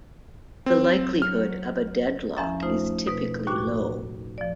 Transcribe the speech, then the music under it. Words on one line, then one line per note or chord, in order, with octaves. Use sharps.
The likelihood of a deadlock is typically low.
F#3 C4
F6
E2 F3 C#4 E5 A#5 A6
A3 D#4 F4 C5
B2 B4
D#2 A2 F#4 D6
F3 D5